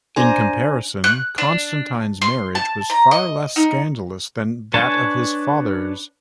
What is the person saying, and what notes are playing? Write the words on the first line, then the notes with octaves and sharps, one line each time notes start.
In comparison, Constantine's marriage was far less scandalous than that of his father's.
D4 C5 G#5 A#5
F#6
D4
C6
A5
A#5
D#5
D#4
D4 B4 C#5 G#5 A5